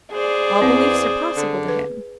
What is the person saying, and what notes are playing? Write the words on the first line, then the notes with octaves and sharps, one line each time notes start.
All beliefs are possible to him.
G#4 C5 D5
E2 C4
D3
B4